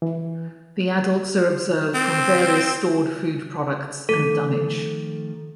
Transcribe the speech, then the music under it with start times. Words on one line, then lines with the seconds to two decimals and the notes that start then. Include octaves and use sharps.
The adults are observed from various stored food products and dunnage.
0.02 E3
1.95 C4
4.09 D#3 F3 A3 A4